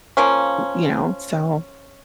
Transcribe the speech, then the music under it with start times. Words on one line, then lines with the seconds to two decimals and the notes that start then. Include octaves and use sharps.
you know? So,
0.17 F3 A#3 C#4